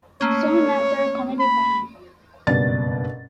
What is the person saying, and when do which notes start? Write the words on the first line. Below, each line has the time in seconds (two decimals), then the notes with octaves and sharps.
Soon after, Comedy Bang!
0.21 A3 A#3 C#4 C#5
1.39 B5
2.47 F#1 G2 B2 B4 D5 A6